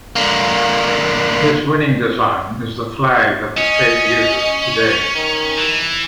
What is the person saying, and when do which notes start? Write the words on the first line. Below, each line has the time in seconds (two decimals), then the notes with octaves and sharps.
His winning design is the flag that the state uses today.
0.16 D3 A#3
3.58 C#4 D#5
5.15 D#3
5.58 E3